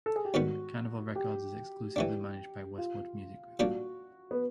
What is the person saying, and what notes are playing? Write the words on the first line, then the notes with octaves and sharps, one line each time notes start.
Carnival Records is exclusively managed by Westwood Music Group.
A4
G#4
G4
G#2 D#3 G3 B3 F#4
G4
E3 A3 D4 G4
F4
A#2 G3 A#3 D4 F#4
B3